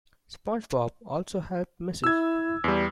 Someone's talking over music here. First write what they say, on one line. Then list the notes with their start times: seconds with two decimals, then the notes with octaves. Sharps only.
SpongeBob also helps Mrs.
2.04 E4 E6 G#6
2.64 E2 G3